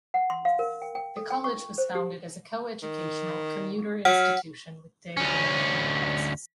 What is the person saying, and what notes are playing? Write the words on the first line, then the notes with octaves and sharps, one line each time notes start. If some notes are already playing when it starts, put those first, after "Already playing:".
The college was founded as a coeducational, commuter institution with day and evening classes.
F#5
C6
F5
A#4
G5
G5
A4
G5
C#6
C5
G4
D#3
F#3 F#5 F6
D2 C#4